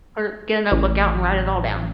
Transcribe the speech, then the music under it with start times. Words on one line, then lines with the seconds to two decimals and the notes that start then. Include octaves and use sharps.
or get a notebook out and write it all down.
0.72 A1